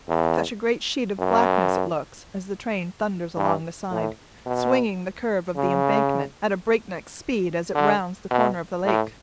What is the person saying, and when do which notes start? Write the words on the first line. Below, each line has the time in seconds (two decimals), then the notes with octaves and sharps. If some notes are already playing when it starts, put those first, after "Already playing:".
Such a great sheet of blackness it looks as the train thunders along the side, swinging the curve of the embankment at a breakneck speed as it rounds the corner of the lake.
0.08 E2
1.19 F#2
3.37 G2
3.91 A2
4.46 B2
5.56 C#3
7.75 D3
8.31 B2
8.84 A2